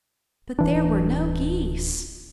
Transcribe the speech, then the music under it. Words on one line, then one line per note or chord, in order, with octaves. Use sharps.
But there were no geese!
D1 E3 D4